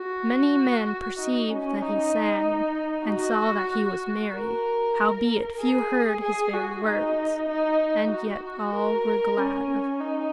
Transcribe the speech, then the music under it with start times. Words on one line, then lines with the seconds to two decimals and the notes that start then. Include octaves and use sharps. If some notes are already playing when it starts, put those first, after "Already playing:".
Many men perceived that he sang, and saw that he was merry, howbeit few heard his very words, and yet all were glad of him.
Already playing: F#4
1.19 D#4
1.50 C#4
1.82 D#4
3.07 F#4
4.33 A#4
5.59 G#4
6.23 G#4
6.54 F#4
6.85 D#4
7.48 D#4
8.11 F#4
8.74 A#4
9.37 C#4
10.00 D#4